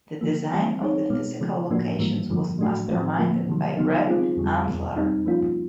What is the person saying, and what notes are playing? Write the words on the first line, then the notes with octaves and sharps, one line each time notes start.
The design of the physical locations was masterminded by Red Antler.
D3 F3 A#3
E3 G3 C4
G#3 C4 D#4 G#4 C#5
B2 G#3 B3
C#3 F3 G#3
A2 F3 A#3 D4 F#4
G#2 E3 G3 A#3
F#2 D3 F3 G#3
A2 F#3 A3 D4 F#4
A2 F3 G#3 C4
D3 F3 A#3
C3 D#3 F#3
C#3 F#3 B3 D#4
G#3 C4 F4 G#4
F2 D3 G3
E2 B2 G#3
G3 C4 D#4
F3 A#3 C#4 F4